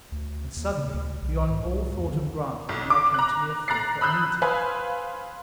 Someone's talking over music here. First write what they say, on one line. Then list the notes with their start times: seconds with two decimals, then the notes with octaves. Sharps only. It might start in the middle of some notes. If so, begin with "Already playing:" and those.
And suddenly, beyond all thought of Grantline, there came to me a fear for Anita.
0.12 D2
0.56 D#2
0.77 C#3
0.94 D2
1.22 B1
1.50 G#2
1.65 C2
1.97 E2
2.12 D3
2.69 B1
2.90 D6
3.14 A#5 F#6
3.68 A#5 F#6 A6 C7
4.01 B5 D#6 E6 F#6 G6
4.42 B4 C5 F5 G#5